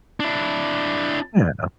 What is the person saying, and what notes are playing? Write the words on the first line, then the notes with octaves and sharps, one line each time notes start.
Yeah, no.
D4 E4